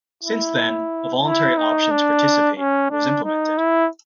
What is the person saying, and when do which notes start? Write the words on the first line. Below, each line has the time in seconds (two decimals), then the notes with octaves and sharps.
Since then, a voluntary option to participate was implemented.
0.23 E4
1.24 E4
1.57 D#4
1.91 D4
2.58 C#4
2.91 D4
3.24 D#4
3.58 E4